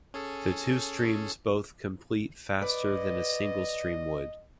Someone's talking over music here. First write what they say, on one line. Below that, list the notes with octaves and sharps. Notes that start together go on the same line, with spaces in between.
The two streams both complete faster than a single stream would.
C#4 G#4 A4
B4 D5 D#5